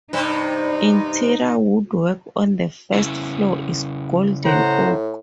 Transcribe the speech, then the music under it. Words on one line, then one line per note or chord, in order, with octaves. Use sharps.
Interior woodwork on the first floor is golden oak.
G2 C3 D#4
C#3 C#4 E4
A2 C5 F#5 A#5